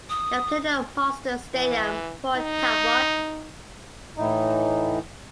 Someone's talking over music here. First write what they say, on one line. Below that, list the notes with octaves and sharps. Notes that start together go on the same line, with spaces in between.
They play at the Marston Stadium, Port Talbot.
D#6
E3
D#4
A2 E3 D#4